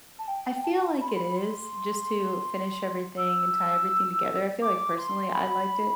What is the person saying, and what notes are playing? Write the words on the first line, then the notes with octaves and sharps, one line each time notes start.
I feel like it is, just to finish everything and tie everything together. I feel like, personally, I liked it.
A5
G5
G5
A5
B5
C6
B5
C6
E6
D6
C6
B5